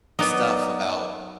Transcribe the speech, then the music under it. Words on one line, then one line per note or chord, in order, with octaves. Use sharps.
stuff about
F#3 B3 D#4 A#4 D5 D#5